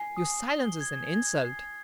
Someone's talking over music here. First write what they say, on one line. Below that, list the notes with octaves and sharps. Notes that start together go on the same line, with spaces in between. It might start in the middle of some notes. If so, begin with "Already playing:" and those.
"Your silence is an insult!"
Already playing: G#5 C7
D#6
G7
G#6
G#6
C7